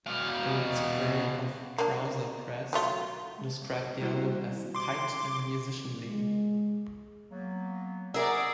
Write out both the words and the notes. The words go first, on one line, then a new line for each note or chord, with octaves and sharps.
David Sprague of "Trouser Press" described the album as "tight and musicianly".
B2 F5
A#3 D4
F#3 A3 F4
D#3 G3 A#3 E4 F#4 C5
C6 D6
G#3
F#3 A#3 B3
G#4 A#4 D5 E5 F#5